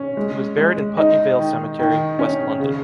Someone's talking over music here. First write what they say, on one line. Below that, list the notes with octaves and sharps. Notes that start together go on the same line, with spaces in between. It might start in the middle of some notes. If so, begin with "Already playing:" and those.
He was buried in Putney Vale cemetery, West London.
Already playing: C#4
G#3
G#3
D#4
D#3
D#3
C#4
C#3